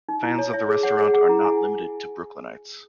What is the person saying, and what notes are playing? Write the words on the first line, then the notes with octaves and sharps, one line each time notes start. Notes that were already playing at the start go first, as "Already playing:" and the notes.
Fans of the restaurant are not limited to Brooklynites.
D#4
E4
C#5
C#5 E5
G#4
C#5 F#5
G#4
G#4 F#5
E4
E4 G#5